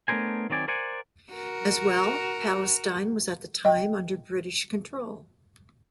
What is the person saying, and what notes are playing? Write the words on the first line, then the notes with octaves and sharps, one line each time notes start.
As well, Palestine was at the time under British control.
A3 B3 D4 A#4 C5 G#5
D#3 F#3 C4 D5 G#5
A#4 C5 D5 F#5 G#5
F#4 A#4
D#5 G5